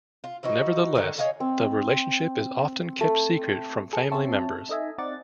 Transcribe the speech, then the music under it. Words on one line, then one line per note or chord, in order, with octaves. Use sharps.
Nevertheless, the relationship is often kept secret from family members.
F4
E3 F3 D#4 F#4
D3 D#3 A#4
C#5 D#5 F5 G#5
C4
A3
G#4 A4 A5 C#7
C4 C#4 C5 C#5 E5 A5
D#4 A4 D#5 E5 G#5
C4 D#4 D5 F#5 A6